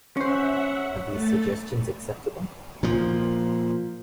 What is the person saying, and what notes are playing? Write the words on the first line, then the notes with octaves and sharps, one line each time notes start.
Are these suggestions acceptable?
C#4 C5 E5 F#5
A3 A6
A#2 F3